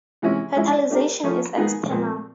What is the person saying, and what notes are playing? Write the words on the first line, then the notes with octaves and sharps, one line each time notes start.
Fertilization is external.
C3 E3 G#3 C#4 E4
G#3 C#4 E4
A3 D4 G4 A#4
F3 A3 C#4 F4
D#3 G#3 B3 D#4 G#4
A#2 F3 G#3 C4